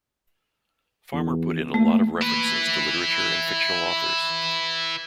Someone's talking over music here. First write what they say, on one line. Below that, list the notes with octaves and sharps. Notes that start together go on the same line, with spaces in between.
Farmer put in a lot of references to literature and fictional authors...
E2
A3 A#3
E4 B4